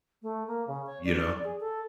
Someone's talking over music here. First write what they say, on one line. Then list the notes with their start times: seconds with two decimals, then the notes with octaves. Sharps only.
You know?
0.22 A3
0.47 A#3
0.67 C#3
0.86 C#5
1.04 D5
1.44 G#4
1.60 A4